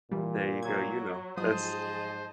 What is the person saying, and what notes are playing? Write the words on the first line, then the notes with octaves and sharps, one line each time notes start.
There you go, you know. That's
A#2 E3 G3
F#3 G#6
G#2 F3 F#3 G#4 C5 D#5 A5 D#6